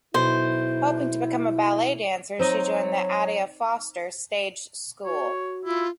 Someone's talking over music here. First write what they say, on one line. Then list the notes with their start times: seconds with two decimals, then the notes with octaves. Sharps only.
Hoping to become a ballet dancer she joined the Aida Foster stage school.
0.15 B1 E4 C5
2.39 F#3 C4 D#4 D#5
5.05 F#4 C#5
5.66 E4 F4